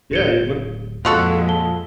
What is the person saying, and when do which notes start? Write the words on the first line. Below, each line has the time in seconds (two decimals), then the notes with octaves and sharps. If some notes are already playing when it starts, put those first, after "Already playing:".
Yeah, you'd but
0.11 D1 G4 C#7 G7
1.05 F2 A#2 G#3 F4 F#4 A4 C6
1.48 F5 A5 G7